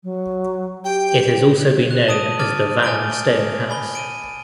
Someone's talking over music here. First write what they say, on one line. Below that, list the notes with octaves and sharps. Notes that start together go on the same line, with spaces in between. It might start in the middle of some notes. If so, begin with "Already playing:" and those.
It has also been known as the Van Stone House.
F#3
G4 G5
F#6
A5 D#6 D7 D#7
D6 F6 G#6 A6
G#5 F6 A6 D7 G7
G#5 B5 G7
D7 D#7